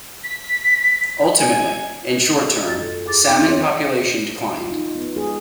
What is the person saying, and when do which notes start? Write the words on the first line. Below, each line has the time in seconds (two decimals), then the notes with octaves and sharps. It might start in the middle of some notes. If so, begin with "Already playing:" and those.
Ultimately, in the short term, salmon population declined.
0.24 B6
1.39 G#5
2.65 F#2 F4 A6
2.81 A4
3.06 E2 G#4 D6 A6
3.27 B3 C4 D#4
3.46 C4 D4 F4 C#5
4.58 F4
4.71 D#4
4.95 B3
5.16 G#4